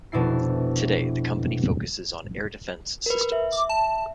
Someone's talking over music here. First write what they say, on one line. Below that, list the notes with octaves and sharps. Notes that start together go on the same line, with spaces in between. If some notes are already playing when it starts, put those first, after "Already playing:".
Today the company focuses on air defense systems.
F1 B2 D4 E4 C7
A#4 B4
E5
D6
A5